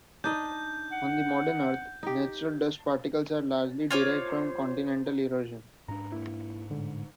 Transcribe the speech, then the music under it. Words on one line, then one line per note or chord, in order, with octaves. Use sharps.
On the modern Earth, natural dust particles are largely derived from continental erosion.
D4 D#4 D#5 G6
F#5
D#4 G4
F4 C5 C#5 D6
G#2 D4 A#5
A#3 E4
A2 D3 G#3